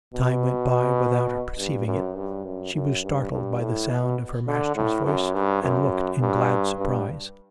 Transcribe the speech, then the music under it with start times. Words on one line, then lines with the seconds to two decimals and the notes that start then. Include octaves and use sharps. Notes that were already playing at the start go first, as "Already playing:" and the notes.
Time went by without her perceiving it; she was startled by the sound of her master's voice and looked in glad surprise.
0.14 B2
1.58 G2
1.87 F#2
2.16 G2
2.45 F#2
2.74 F#2
3.03 G2
3.32 G2
3.60 A2
3.89 B2
4.47 D3
4.76 A2
5.05 F#2
5.34 G2
5.62 F#2
6.21 G2
6.79 G2